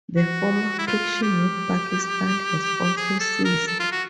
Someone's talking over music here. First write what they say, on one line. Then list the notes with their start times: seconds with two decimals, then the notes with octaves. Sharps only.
The former friction with Pakistan has also ceased.
0.17 F#4
0.79 E4
0.88 F4
1.22 G4
2.97 G#4
3.20 A4
3.45 A#4
3.67 A4
3.80 F4
3.92 F#4